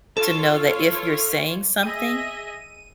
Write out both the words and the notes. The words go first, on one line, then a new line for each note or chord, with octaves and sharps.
to know that if you're saying something,
F4 A4 C#5
G#4 D#5 E5 D#7